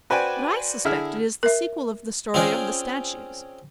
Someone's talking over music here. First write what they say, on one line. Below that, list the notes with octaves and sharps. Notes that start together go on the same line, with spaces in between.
But I suspect it is the sequel of the story of the statues.
F#4 B4 C5 D5 G5 G#5
D3 E4 G#4 F6
A#4 E5
C4 C#4 F4 G#4 C5 D5